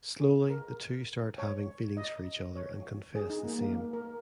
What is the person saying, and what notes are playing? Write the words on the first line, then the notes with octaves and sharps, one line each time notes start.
Slowly the two start having feelings for each other and confess the same.
G#4
A#4
C#5
D#5
C#5
G#4
D#4
A#3
A#3
A#3
A#4